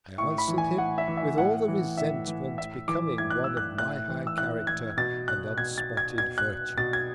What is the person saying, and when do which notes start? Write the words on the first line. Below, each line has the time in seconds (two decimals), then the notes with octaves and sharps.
I answer'd him with all the Resentment becoming one of my high Character and unspotted Virtue.
0.18 A2 C#6
0.38 B5
0.48 E3
0.58 G#5
0.78 A2 F#5
0.98 E5
1.08 E3
1.17 E5
1.38 A2 F#5
1.68 E3
1.97 A2 E5
2.27 E3
2.58 A2 E5
2.88 E3 D6
3.18 A2 G#6
3.31 F#6
3.44 E3 E6
3.57 F#6
3.77 A2 F#6
4.08 E3
4.27 E6
4.37 A2 F#6
4.67 E3 G#6
4.97 B2 A6
5.28 F#6
5.57 B2 G#6
5.78 A6
5.97 G#6
6.18 B2 G#6
6.38 F#6
6.78 B2 A6
6.93 G#6